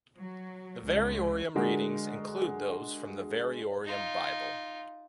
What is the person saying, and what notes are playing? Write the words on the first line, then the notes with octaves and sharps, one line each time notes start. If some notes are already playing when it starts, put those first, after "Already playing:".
The variorum readings include those from the "Variorum Bible".
F#3
C#2
D3 G#3 F#4 A#4
D#4 F4